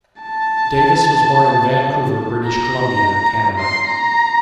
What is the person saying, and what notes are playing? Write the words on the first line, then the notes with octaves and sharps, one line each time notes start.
Davis was born in Vancouver, British Columbia, Canada.
A5
A#5
C6
A#5